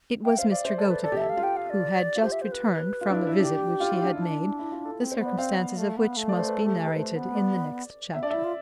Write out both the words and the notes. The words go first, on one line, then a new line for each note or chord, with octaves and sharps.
It was Mr. Gotobed who had just returned from a visit which he had made, the circumstances of which must be narrated in the next chapter.
E5 G5
C5 F5
D5 F5
C5 E5
A4 D5
B4 D5
A4 D5
G4
A4 E5
F5
F4
G4 G5
F5
D5
F4
G4 C5
E5
C5
B4
F4
D4
E4
E4
D4 G4
F4
E4
D4
E4
D4
E4
F4
A4
C4
C5
B3
D5
C4 F5
B3
A3
B3
A3
D5
C5
B4
A4
G4
A4
B4
A3 C5
B3
D5
B3 E5
D4 D5
E4 E5
F4